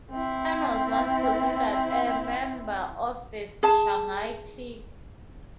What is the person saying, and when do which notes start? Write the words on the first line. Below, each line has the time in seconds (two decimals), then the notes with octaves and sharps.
Han was once considered a member of the Shanghai clique.
0.10 C4 E4
3.63 G#4 A5